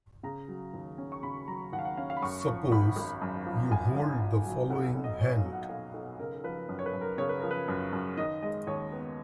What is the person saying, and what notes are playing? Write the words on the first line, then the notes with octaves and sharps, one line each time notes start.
Suppose you hold the following hand.
C#3 A#5
F#3
D#2
C#4
C#6
C#3 B5
F#3 A#5
D#2 F#5
F5
F#5
C#4 F5
F5
B5
F#2 C#6
F3
G#1 B5
G#1
F#2
F3
G#1 G#5
G#1
A#2
F#3
B1 F#5
B1
D#5
A#2 C#5
F5
F#3
F#5
F#5
B1 F5
B1
C#3 A#4
F3 B4
F#2
C#5
B4
F#2
A#4
C#3 C#5
B4
F3 A#4
B4
F#2
F#2
D#3 D#5
G#3 D#5
D#2 C#5
B3